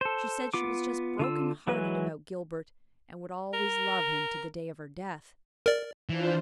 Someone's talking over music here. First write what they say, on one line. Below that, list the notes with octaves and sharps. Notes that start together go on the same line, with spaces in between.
She said she was just broken-hearted about Gilbert, and would always love him to the day of her death.
A4 C5
B3 F4 D6
D3 F4 E6
E3 F#3 G#3 B4
A#4
A#4 D5
E3 D4 F4 C5